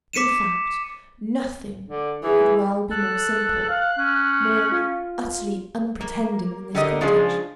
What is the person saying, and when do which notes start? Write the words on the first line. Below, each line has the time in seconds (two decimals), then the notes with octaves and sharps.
In fact nothing could well be more simple--more utterly unpretending than this cottage.
0.13 D6 B6 C#7 D#7 E7
1.89 D3
2.23 E3 G#4
2.91 A4 F#6
3.69 F5
3.98 C#4
4.72 F4
6.01 A#3
6.75 D3 G4 A#4 D#5
7.01 C#3 F3 G#3 D4 F4 G#4